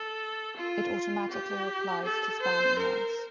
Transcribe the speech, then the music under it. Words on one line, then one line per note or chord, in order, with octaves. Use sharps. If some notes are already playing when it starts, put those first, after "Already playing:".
It automatically replies to spam emails.
Already playing: A4
F4
G4
A4
C5
A#4